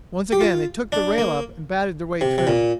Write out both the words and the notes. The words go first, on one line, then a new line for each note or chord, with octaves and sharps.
Once again they took the rail up and battered their way through.
G4
F4
D4
A#3
C3
C3
A#2